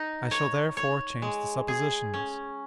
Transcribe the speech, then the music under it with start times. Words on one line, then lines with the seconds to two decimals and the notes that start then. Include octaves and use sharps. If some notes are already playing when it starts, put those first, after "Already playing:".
I shall therefore change the suppositions.
Already playing: D#4
0.31 C#5
0.77 C#5
1.22 G#3
1.68 G#4
2.14 C#4